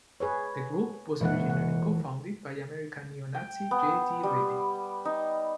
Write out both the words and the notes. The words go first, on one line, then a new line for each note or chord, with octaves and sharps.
The group was originally co-founded by American neo-Nazi, J. T. Ready.
G#4 B4 C#5
E1 A#2 E3 G#3 F#5 A6
F#5
G5
B3
G3
D#4